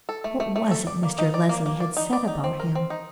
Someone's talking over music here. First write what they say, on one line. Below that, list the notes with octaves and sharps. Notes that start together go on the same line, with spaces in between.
What was it Mr. Leslie had said about him?
A4
A3
A3
A3
A4
D5
A#3
D#4
D5
A#3
A#3
D5
D#4
D5
D#4
C4
A#4
C4
D#4